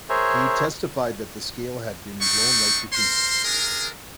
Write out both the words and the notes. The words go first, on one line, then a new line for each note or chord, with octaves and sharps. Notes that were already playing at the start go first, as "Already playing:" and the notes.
He testified that the scale had been "blown right to pieces".
G#4 A#4 C5 C#5 E5
C4 D4 D#4 C#6
A#4 C5 C6
D4 G#4 A#4